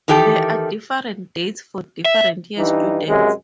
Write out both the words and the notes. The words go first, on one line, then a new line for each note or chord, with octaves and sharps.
There are different dates for different year students.
D#3 E3 G4 A4 G5
E5
G2 E3 D#4
F#2 C3 G#3